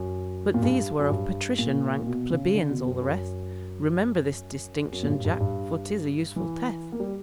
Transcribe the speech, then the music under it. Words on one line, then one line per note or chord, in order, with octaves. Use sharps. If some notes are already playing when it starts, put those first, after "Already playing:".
But these were of Patrician rank, Plebeians all the rest; Remember this distinction, Jack! For 'tis a useful test.
Already playing: F#2
A#2
G2
F#2
G2
A#2
B2
C#3
D3
B2
F#2
F#2
F#2
A#2
G2
G2
G2
E3
A#3
G3